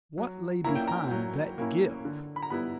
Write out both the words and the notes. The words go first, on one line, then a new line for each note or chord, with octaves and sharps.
What lay beyond that give?
F#3
A#3 C#4 E4 A#5
G5
A#5
F#3
A#3 C#4 E4
D3
B5
A#5
G3 B3 E4 B5